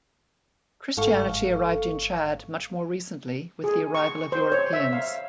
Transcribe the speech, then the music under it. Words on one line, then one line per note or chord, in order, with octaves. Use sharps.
Christianity arrived in Chad much more recently with the arrival of Europeans.
G1 G#2 A4 F5 C#6
G#4
C#6
C5
C#5
E5
F5